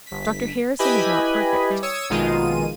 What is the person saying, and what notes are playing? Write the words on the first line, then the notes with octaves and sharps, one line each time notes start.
Dr Harrison is not perfect.
G1 B6
E4 G4 B4 D#5 G#5 B5
G3
C#5 D#6 E6 G#6 C#7
A#1 B2 D#3 G#3 F4 D#7